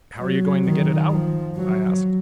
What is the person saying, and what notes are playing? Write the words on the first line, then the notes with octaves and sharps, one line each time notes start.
"How are you going to get it out?" I asked.
F#3
D#3
F3
F#3